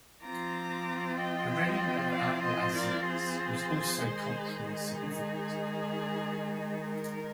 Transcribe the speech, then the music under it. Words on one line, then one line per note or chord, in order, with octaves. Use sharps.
The reign of Al-Aziz was also culturally significant.
F3 C4 F4 A#5 D6
D#5 G5
D5 F5
C5 D#5
A#4 D5
G#4 C5
D#3 G#3 D#4
G#4
A#4